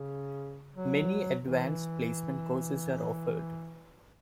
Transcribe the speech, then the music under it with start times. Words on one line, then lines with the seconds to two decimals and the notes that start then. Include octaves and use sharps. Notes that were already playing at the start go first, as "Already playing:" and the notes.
Many Advanced Placement courses are offered.
Already playing: C#3
0.75 F#3
1.42 E3